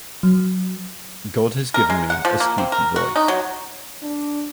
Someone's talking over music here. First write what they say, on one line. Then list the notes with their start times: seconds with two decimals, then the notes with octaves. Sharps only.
God has given me a squeaky voice.
0.23 F#3
1.74 A#4
1.90 G#3
2.10 F#5
2.25 F3
2.40 A#3
2.58 C4
2.72 A#4
2.96 F#4
3.16 D#4
3.28 F#3
4.03 D4